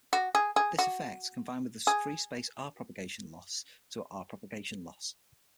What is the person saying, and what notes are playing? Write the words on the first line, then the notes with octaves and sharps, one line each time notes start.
This effect, combined with the free-space r propagation loss to a r propagation loss.
F#4
G#4
G#4
F#4
G#4